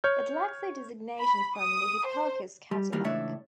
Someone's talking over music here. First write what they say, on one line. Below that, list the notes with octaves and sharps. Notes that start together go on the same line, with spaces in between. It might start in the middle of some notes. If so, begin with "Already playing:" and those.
It lacks a designation from the Hipparcos catalogue.
C#5 F6 G6
B5
D#6
C5
G3
D#3 E3 G3 A#3
C#2 A2 E3 D4 C#5 E5